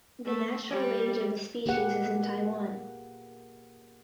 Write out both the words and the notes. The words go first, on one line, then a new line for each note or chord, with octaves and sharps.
The natural range of the species is in Taiwan.
A3
G3
A#3 G4 G#4 B4 F#5